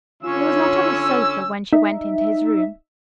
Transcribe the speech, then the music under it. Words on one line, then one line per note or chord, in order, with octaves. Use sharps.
He was not on his sofa when she went into his room.
D3 C#4 F4 C#5 E6
D#4 E5